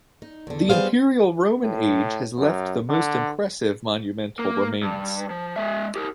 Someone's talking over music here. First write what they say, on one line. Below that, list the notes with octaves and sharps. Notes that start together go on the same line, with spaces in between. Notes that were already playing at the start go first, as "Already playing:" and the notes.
The Imperial Roman age has left the most impressive monumental remains.
D#4
E2 D3
G3 B3 G#4 C5 F5
A2
F#2
D3
A#3
G2
F3
G#3 E5
G4 A#4